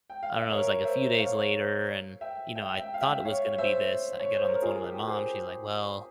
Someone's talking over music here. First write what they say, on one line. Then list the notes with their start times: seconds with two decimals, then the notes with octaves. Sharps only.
I don't know, it was like a few days later and, you know, I thought it was gonna be this. I get on the phone with my mom, she's, like, "Well,
0.10 G5
0.23 F5
0.37 E5
0.49 A#4 C#5
0.85 C5 E5
1.18 C#5 F5
2.21 E5 G5
2.55 E5 G5
2.79 E5 G5
2.94 F5
3.01 E5 G5
3.13 E5
3.25 C#5 F5
3.58 C5 E5
4.20 C#5
4.35 C5
4.48 A#4
4.62 F4 G#4
4.75 G#4
4.84 G4 A#4
5.07 G#4 C5